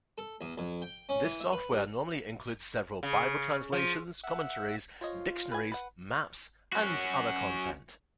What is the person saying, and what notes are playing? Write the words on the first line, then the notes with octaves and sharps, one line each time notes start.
This software normally includes several Bible translations, commentaries, dictionaries, maps and other content.
A4
E2
F2
G5
C#4
E3
E5
B4
G2
C#3
F3
E5 F#5
F3 F4 C#5 D#5
B4 G#5
B4 F#5
C#4 F#4